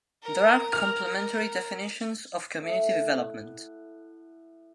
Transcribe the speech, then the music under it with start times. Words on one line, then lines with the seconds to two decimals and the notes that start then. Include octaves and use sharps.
There are complementary definitions of community development.
0.22 A#4
0.73 F6
2.59 A2 F#5